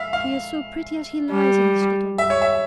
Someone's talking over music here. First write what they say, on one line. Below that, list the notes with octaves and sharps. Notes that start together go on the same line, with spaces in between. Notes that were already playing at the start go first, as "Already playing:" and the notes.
He is so pretty as he lies in his little bed.
Already playing: E5 F5
F5
G3
E5
C#5
E5